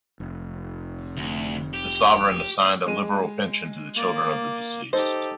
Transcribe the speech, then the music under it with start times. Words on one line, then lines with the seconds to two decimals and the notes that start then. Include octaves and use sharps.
The sovereign assigned a liberal pension to the children of the deceased.
0.20 F1
1.17 D2
1.74 G4
2.86 G#3 D#7
3.96 A#3 D5
4.93 D#4 G4 A4 C5